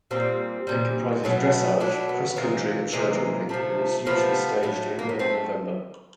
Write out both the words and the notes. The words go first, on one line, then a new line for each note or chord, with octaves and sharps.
It comprises dressage, cross-country and show-jumping and is usually staged in early November.
A#2 G3 C4
A#2 G3
B2 F#3 A3
B2 F#3 A3 D4
B3
C3 E3 G#3 A#3
C3 E3 G#3 A#3
C3 F3 A3
C3 F3 A3 B3
A2 F#3 A3
A#3
B3
A3 C4